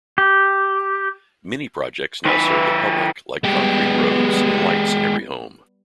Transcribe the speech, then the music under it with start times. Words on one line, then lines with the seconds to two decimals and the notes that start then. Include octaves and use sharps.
Many projects now serve the public like concrete roads and lights in every home.
0.18 G4
2.25 D#3 B4
3.44 G3 G#3 B3 G4